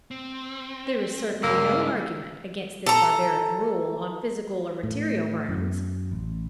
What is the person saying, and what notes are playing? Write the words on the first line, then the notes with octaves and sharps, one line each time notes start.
There is certainly no argument against this barbaric rule on physical or material grounds.
C4
C#2 G2 A#3 E6
A4 A#5
A2
F#2
A1